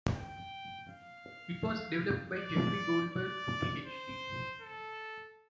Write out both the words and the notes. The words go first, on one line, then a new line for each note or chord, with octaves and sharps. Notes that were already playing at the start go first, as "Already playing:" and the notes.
It was developed by Jeffery Goldberg, PhD.
G5
F5
D5
D5
C5
A4